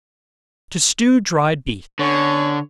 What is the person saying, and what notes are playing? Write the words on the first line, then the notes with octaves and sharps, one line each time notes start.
To Stew Dried Beef.
D3 B3 C#4 C#5